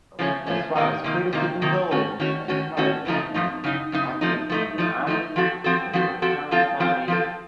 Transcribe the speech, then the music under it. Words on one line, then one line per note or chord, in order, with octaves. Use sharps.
ooh, as far as criticism goes, and as far as anything, I think when you're honest, when you're kind about it,
C#3 F3 A3 C#4
C#3 F3 A3 C#4
C3 D#3 A#3 D#4
C3 D#3 A#3 D#4
C3 D#3 A#3 D#4
C3 D#3 A#3 D#4
D#3 A3 C#4 F#4
D#3 A3 C#4 F#4
D#3 A3 C#4 F#4
D#3 A3 C#4 F#4
F#2 C#3 F3 A3 D#4
F#2 C#3 F3 A3 D#4
F#2 C#3 D#4
F#2 C#3 D#4
F3 A3 D#4
F3 A3 D#4
F3 A3 D#4
F3 A3 D#4
F3 C4 F#4 A4
F3 C4 F#4 A4
F3 C4 F#4 A4
F3 C4 F#4 A4
F3 C4 F4 A4
F3 C4 F4 A4
F3 C4 F4 A4